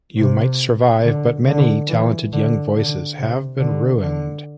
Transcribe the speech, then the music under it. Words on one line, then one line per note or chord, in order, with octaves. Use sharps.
You might survive, but many talented young voices have been ruined.
C3
D3
D3
E3
D3
D3
C3
D3
D3